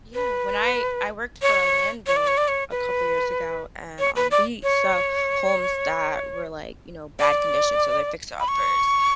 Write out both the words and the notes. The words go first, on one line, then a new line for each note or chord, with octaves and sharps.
Yeah, when I I worked for a land bank a couple years ago, and, um, we saw homes that were, like, you know, bad condition, so they're fixer-uppers.
B4
C#5
C#5
D5
C#5
D5
C#5
B4
C#5
B4
D5
C#5
D5
B5
C#6